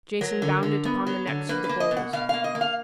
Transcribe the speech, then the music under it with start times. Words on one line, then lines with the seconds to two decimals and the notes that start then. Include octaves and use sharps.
Jason bound it upon the necks of the bulls.
0.21 F#3 A#4
0.42 D3
0.63 D3
0.85 B3
1.07 F#3
1.27 D3
1.49 A#3 B4
1.64 B4
1.69 A#3
1.80 D#5
1.91 B2
1.97 F#5
2.13 B2 F5
2.29 A#3 F5
2.44 D#5
2.55 A#3
2.61 F5